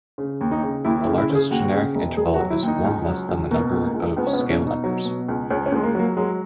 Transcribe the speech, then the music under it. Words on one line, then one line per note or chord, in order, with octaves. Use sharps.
The largest generic interval is one less than the number of scale members.
C#3
D#2
D#4
C#3
D#2 E4
E4
C#3
E4
C#3
G#4
D#2 F#4
C#3
E1
E1 G#4
F#4
F#3
E4
D#2 D#4
C#2
F#3
C#2
B2 A#3
C#2
A#3
C#2
C#2 B3
C#4
B3
B2
C#4
B2
D#4
F#3
B2
C#2
C#2 C#4
C#4
C#2 G#3
A#3
F#3 A#3
F#3 G#3